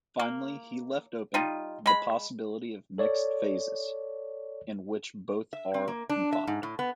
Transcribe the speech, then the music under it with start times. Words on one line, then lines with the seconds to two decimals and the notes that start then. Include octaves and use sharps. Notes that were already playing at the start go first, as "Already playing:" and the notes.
Finally he left open the possibility of mixed phases, in which both are confined.
0.19 A#3
1.34 G3 D#4 F4
1.86 G#3 B5
2.98 A4 C#5 D5
5.53 E5
5.74 C4
5.88 A#3
6.09 D4
6.33 E5
6.47 G#2
6.63 A2
6.79 B3